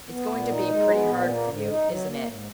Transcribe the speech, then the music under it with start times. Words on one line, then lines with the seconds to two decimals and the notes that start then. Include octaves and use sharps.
"It's going to be pretty hard for you, isn't it?"
0.10 B3
0.29 A#2
0.50 D#4
0.69 G#3
0.88 B3
1.08 A#2
1.28 A#3
1.48 G#2
1.67 D#4
1.87 F#3
2.07 A#3
2.27 G#2